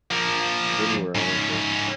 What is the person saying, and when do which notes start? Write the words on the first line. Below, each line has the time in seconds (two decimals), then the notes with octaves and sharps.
anywhere, I don't think.
0.11 F3 A#3
1.15 G#2 C#4